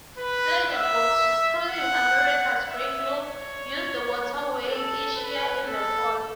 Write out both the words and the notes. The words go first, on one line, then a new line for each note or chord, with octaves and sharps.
Pleasure boats, cruising America's Great Loop, use the waterway each year in the fall.
B4
E5
F#5
E5
C#5
A4
B4
A4